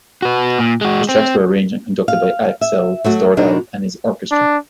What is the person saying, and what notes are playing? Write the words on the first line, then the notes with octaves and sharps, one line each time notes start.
The tracks were arranged and conducted by Axel Stordahl and his orchestra.
F#4 B4
A#2
G#3 F#4
C4
F5
E5
F#3 A3 F#4
E2 B2 D4 D#4 F#4 A#4
D4